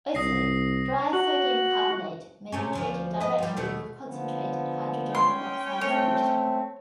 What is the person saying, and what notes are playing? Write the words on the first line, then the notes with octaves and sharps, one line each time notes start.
Also, dry sodium carbonate may be treated directly with concentrated hydrogen peroxide solution.
C2 D#6 A#6 C7
F#4
C3 A3 C#4
D2 F3 C#4
B4 D#5
F3 G3
D#2 B2 A3
D3 F3 B3
C#4 G5 C6
A3 C4 C#5